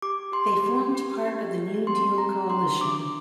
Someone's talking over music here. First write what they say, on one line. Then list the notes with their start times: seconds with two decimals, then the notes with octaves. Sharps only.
They formed part of the New Deal Coalition.
0.02 G4 D6
0.32 G4 C6
0.64 G4
0.95 G4
1.26 G4
1.57 G4
1.87 C4 C6
2.18 G4 A#5
2.50 D4 C6
2.81 D4 D6